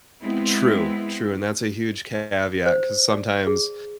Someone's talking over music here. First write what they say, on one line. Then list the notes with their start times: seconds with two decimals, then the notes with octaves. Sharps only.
True, true, and that's a huge caveat 'cause sometimes
0.22 G#3 B3 C4 E4
2.66 C5
3.13 D5
3.47 G#4